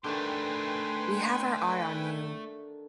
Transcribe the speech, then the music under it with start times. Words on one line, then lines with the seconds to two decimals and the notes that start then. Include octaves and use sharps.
We have our eye on you.
0.04 D3 D#3 A3 G4 B4 G5 G#5 C6